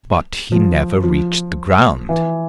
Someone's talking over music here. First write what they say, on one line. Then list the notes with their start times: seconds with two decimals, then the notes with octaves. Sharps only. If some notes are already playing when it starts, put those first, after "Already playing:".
But he never reached the ground.
0.52 F3
1.04 F3
2.09 E3